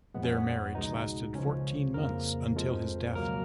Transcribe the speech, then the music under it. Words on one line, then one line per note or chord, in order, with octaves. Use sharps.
Their marriage lasted fourteen months until his death.
F2 F3 G#3 B3
C#4
B3
C#2 B2 G#3 D#4
C#2 C#3 F3 C#4
F2 C#3 F3 A#3 A#4
F2 F3 G#3
C#2 B2 F#3 A#3 A#4